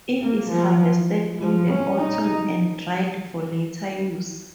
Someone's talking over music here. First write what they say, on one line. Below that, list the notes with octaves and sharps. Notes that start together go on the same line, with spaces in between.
It is harvested in the autumn and dried for later use.
A#3
F3
F3
C#4
D#4